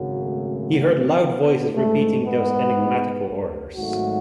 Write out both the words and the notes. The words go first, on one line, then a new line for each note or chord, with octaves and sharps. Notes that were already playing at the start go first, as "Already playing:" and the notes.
He heard loud voices repeating these enigmatical orders.
Already playing: G#1 F#2 C#3 F#3
A3
B3
G#2 G#3 A3
B3
G#1 G#2 F#3 A3 F#4